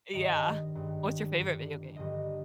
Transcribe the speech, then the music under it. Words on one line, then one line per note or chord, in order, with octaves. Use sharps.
Yeah. What's your favorite video game?
G#1 G2 D#3 D#5
G#1 G2 D#3
G1 G2 D3 F3
G1 G2 D3 F3 D#5